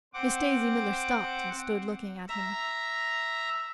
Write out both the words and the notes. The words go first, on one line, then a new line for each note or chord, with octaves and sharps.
Miss Daisy Miller stopped and stood looking at him.
C4 F#5 D6
E5 A#5